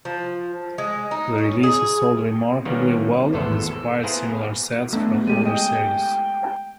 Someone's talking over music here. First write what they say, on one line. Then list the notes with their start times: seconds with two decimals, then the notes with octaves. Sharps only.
The releases sold remarkably well and inspired similar sets from other series.
0.05 F3
0.78 G#3
1.11 D#4
1.38 C#4
1.63 G#4
2.65 D#3 G3 A#3 B3 C#4
3.33 G#1 E2 A2 B3 A4 C5
3.66 A4
4.03 A#3 B3 E4 G#4 A#4 C5
4.93 A3 B3 D4
5.27 G#3 G4 A4 D#7
5.45 D#5 G5 G#5